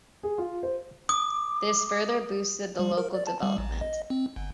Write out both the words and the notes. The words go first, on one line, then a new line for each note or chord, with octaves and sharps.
This further boosted the local development.
G#4
F4
C5
D6 D#6
G3
A#4
D5
A5
G3
A1
D#5
C4
G1